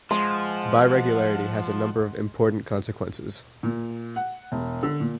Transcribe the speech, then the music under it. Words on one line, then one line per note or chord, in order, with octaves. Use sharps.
Biregularity has a number of important consequences.
F3 G#3 F#5 A5 C6
A#2
F#5
E1
D3
A#2